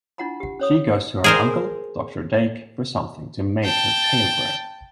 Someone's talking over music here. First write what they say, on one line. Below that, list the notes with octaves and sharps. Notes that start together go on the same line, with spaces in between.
She goes to her uncle, Doctor Dake, for something to make her tail grow.
D4 E4 F4 F#5 A#5 B5
G4 F#5
C#4 C#5 D#6
G#4 A#4 C5
G5 A5